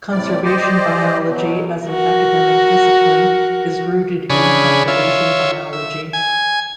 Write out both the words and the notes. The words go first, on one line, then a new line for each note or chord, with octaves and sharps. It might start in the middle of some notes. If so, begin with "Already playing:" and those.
Conservation biology as an academic discipline is rooted in population biology.
A2 C3 D5
G4 C5 D5 D#5
B2 F#3
F#4 A#4
C#3 D4 G#4 B5 C#6
F4 C#5 E5
E5
G#5